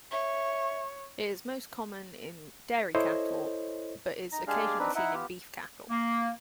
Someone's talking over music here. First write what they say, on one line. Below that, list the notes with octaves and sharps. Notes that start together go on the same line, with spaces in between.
It is most common in dairy cattle, but is occasionally seen in beef cattle.
C#5 E5
E4 A4 C5 C#5 D#5
D#4 A#5
G#3 D4 G4 G#4 D5 F5
C4 D4 D#4 B4
D#4 E4 E5 F#5
B3 F4 G4
A#3